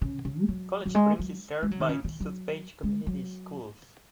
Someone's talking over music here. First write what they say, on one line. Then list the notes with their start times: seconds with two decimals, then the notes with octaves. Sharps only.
College Springs is served by the South Page Community Schools.
0.01 C#3
0.25 C#3
0.41 G#3
0.48 F#3
0.85 F#3
0.95 G#3
1.19 F#3
1.63 G#3
1.71 F#3
1.80 D#3
1.89 C#3
2.04 D#3
2.20 F#3
2.83 G#3
3.07 F#3